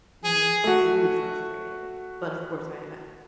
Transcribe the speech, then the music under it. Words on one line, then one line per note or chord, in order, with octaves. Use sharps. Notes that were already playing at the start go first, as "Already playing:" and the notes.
and it's just really frustrating. But, of course, I I
G#4
A3 F#4